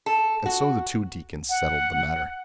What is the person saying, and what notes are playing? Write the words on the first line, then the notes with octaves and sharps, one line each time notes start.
And so the two deacons settled the matter.
A4
F#4
F#5